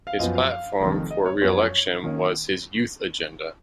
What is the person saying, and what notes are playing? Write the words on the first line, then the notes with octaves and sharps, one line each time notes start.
His platform for re-election was his 'Youth Agenda'.
F5
F#2 F3 B3 D#5
F5
F5
F1 F2 D#3
D#5
C#5
F#2 F3 B3 C#5
D#3 A#3 C#4